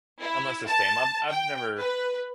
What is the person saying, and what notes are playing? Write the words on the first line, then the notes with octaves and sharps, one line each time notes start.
unless it's tame, I've I've never
E4
A5
G5
B4